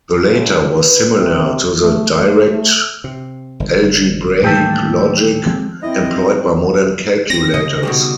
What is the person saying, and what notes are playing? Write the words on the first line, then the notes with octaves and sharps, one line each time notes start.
The later was similar to the Direct algebraic logic employed by modern calculators.
C#2
B4
C3
A3
A3
A3
C3
G1
D#2 A2 E3 G3 G4 A4
F3 G#3 C4
C4 E4 D#5
C4 A#6
C#3 D#5
B2 D#3 G3